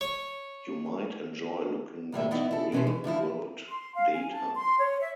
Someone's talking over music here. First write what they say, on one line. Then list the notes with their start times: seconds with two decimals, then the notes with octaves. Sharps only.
You might enjoy looking at real-world data.
0.01 C#5
2.12 D#2 A2 G3 E5
2.31 E3 B3 D#4 E4
2.51 E4 A4
2.72 B2 E3 C#4 B4 C5
2.87 E3
3.04 D3 E3 F3 E4
3.69 C6
3.94 F5
4.14 G#5
4.32 A5
4.56 C6
4.79 C#5
5.00 E5